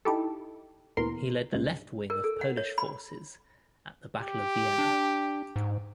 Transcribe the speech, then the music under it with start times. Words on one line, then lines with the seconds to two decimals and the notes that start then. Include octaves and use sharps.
He led the left wing of Polish forces at the Battle of Vienna.
0.05 D#4 E4 G4 A4
0.97 D2 A#2 E3 B3 A#4 C6
1.53 C#2 G#2 G#3
2.10 A#4
2.24 A4
2.41 F#5
2.57 C#5
2.78 B5
4.18 G4
4.78 D4
5.56 G#2